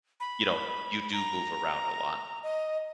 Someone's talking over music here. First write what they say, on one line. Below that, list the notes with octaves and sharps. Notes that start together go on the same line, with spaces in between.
you know, you do move around a lot.
B5
A#5
D#5